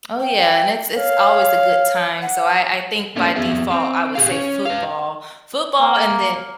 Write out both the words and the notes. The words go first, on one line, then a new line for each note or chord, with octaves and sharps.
Oh, yeah and it's it's always a good time so, I I think by default, I would say football. Football and then
G5
C#5 F5
F#5
A3 A#3 C#4 D4
F2 B3 G#4 E5
C4
G4 G#4 F5
C#4 C#5
B4 F5
A#3